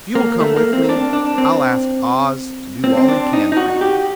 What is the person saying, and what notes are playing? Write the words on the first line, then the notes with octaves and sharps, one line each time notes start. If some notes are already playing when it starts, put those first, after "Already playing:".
"If you will come with me I'll ask Oz to do all he can for you."
A#3
A3
A#3
C4
D4
D4
C4
C4
C4
D4
D#4
D#4
F#4
G4